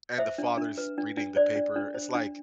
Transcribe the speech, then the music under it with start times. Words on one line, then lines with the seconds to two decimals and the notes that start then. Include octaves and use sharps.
And the father's reading the paper, it's like,
0.18 C5 E5
0.38 D4
0.57 D4
0.78 B4
0.98 D4
1.17 D4
1.36 C5 D5
1.55 D4
1.76 D4
1.94 C5
2.15 D4